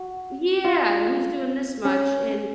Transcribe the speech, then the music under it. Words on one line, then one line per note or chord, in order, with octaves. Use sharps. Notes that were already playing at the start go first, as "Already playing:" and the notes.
Yeah, and who's doing this much, and
Already playing: F#4
F4
C#4